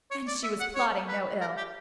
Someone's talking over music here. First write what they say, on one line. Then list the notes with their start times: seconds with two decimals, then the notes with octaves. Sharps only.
And she was plotting no ill.
0.11 C#5
0.28 D5
0.43 E5
0.60 F#5
0.75 C#5
1.08 B4
1.41 A#4
1.57 G4